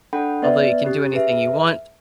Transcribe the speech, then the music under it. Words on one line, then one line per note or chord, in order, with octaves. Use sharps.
although you can do anything you want,
D4 A4 F#5 G5 B5
B3 B4 D5 E5 A6
C#4 G4
G#4 B4 E5